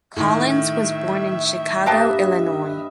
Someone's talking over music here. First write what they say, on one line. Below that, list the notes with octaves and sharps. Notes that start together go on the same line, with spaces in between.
Collins was born in Chicago, Illinois.
A2 D#3 E5
G2 A#3 B4 D#5 G5 A5